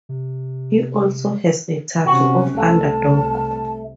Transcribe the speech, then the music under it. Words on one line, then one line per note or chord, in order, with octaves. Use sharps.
He also has a tattoo of Underdog.
C3
C3 C#4 F#4
C2 A3 A5